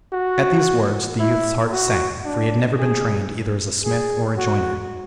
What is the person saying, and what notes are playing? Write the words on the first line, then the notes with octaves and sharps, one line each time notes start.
At these words the youth's heart sank, for he had never been trained either as a smith or a joiner.
F#4
E4
F#4
D4
G#4
G#4
F#4